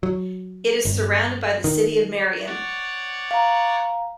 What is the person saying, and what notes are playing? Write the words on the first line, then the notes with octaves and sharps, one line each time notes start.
It is surrounded by the city of Marion.
F#3
G1
D#3
C#5 D5 F#5
F5 A#5